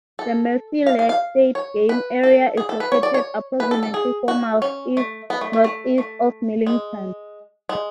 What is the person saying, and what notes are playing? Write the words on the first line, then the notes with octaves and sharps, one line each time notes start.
The Murphy Lake State Game Area is located approximately four miles east-northeast of Millington.
A4
F5
F5
F5
C#5
B4
A4
G#4
A4
B4
C#5
D5
C#5
B4
A4
A4
G#4
F#4
C#4
A3
B3
A3
A3
A3
A3
G#3
G#3